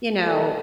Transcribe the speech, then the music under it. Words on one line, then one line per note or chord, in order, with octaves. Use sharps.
you know
B2 G3 A3